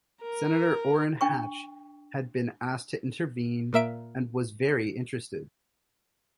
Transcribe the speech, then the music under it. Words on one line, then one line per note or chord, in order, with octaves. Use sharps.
Senator Orrin Hatch had been asked to intervene and was "very interested".
A#4
D4 G5 C#6
A#2 A#3 E5 D7